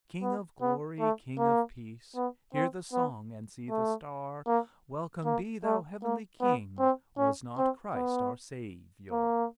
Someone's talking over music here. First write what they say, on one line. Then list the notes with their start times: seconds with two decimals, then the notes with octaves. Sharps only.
"King of glory, king of peace!" "Hear the song, and see the Star!" "Welcome be thou, heavenly King!" "Was not Christ our Saviour?"
0.22 B3
0.61 B3
1.00 A3
1.38 A#3
2.15 B3
2.54 C4
2.93 B3
3.70 A3
4.47 A#3
5.25 A#3
5.64 A3
6.03 A#3
6.41 B3
6.79 C4
7.18 C#4
7.57 C4
7.95 B3
9.12 A#3